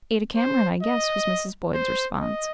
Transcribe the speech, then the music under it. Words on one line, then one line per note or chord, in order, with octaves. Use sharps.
"Ada Cameron, I guess," was Mrs. Boyd's response.
C5
D#5
C5
D#5